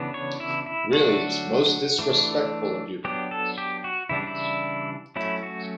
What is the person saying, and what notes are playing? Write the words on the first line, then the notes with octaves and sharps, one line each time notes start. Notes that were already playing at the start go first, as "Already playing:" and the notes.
Really, it’s most disrespectful of you!
Already playing: C#3 E3 B3 D4
C#5
E4
E4
D3 F#3 A3 D4 F#4
E3 A3 D4
F#3 B3 D4 G4
A4
G4
F#4
C#3 E3 G3 D4 E4
E4
F#3 A3 C#4 E4
F#4